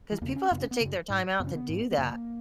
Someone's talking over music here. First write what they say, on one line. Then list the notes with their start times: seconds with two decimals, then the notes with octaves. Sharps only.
'cause people have to take their time out to do that,
0.12 E3
0.22 E2 C#3 A#3
0.36 C#4
0.51 F#2 C#3 B3
0.61 C#4
0.71 B3
0.81 F#2 C#3
1.10 G#2
1.40 F#2 B3
1.43 C#3 C#4
1.55 B3
1.69 G#2
1.91 B3
1.98 F#2 C#3 A#3